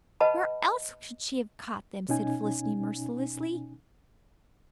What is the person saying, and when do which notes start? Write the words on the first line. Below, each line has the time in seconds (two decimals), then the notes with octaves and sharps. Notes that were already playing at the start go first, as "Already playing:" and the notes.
"Where else could she have caught them?" said Felicity mercilessly.
0.20 B4 D#5 F#5 A5 B5
2.09 B2 C#4 D#4 G#5